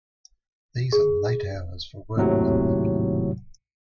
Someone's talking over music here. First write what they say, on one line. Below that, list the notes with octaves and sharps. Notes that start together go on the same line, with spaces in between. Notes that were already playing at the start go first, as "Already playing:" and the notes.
These are late hours for working and thinking.
G#4
G#1 D#2 A2 C3 F#3